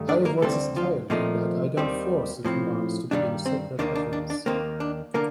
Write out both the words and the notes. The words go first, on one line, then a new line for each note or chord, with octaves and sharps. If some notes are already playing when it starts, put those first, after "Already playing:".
I avoid this entirely, but I don't force the commands to be in a separate utterance.
Already playing: G2 D#3 A3
D4 D5
A#3 A#4
D2 D3 G3 A3 C4 A4
F3 F4
A#2 D#3 F3 A3 C4 D#4
D#2 D#3 G3 C4
A2 F3 C4
G2 D#3 G3 D4
C4
D#2 D#3 A#3 D4
D4
D4
D4
D#2 D#3 A#3 C4
D4
D3 A#3 A#4